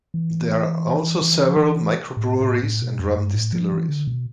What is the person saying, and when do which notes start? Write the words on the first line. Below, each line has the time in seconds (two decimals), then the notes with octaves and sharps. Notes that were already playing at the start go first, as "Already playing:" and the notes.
There are also several microbreweries and rum distilleries.
0.14 E3
1.21 E3
1.48 F3
1.57 E3
2.17 A2
2.40 A2
2.63 A2
2.82 B2
2.99 F2
3.18 G2
3.35 A2
3.53 F3
3.72 E3
3.89 D3
4.07 B2